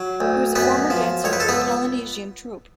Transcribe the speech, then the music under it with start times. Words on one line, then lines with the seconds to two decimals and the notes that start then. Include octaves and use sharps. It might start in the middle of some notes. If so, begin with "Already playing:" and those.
He was a former dancer with a Polynesian troupe.
Already playing: F#3
0.20 D2
0.55 F#2 B3 B4
0.90 F3
1.24 C#2 C#5
1.33 B4
1.40 A4
1.48 B3 B4